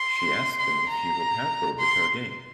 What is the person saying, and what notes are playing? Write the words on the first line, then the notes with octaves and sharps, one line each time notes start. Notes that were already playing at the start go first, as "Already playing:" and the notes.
She asked him if he would help her with her game.
Already playing: C6
C6
A#5
C6